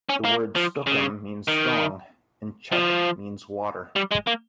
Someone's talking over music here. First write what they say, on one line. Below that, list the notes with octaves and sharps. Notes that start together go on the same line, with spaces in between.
The word "skookum" means "strong", and "chuck" means "water".
C#4
A#3
F3
C#3
D#3
F3
G3
G#3
A#3